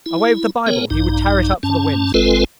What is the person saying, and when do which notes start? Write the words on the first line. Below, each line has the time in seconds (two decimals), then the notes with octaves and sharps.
Away with the Bible: he would tear it up for the winds!
0.06 E4
0.67 B3 A#4 C#5 G5
0.90 A#1 G2 D#4
1.63 G2 C#4 A5
2.14 G#1 G#3 C4 F4 A4 B4